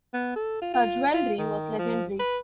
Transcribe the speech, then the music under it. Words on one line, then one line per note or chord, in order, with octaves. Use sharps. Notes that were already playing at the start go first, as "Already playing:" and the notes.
Her jewelry was legendary.
B3
A4
F4
F4
F4
D#3
F3
B4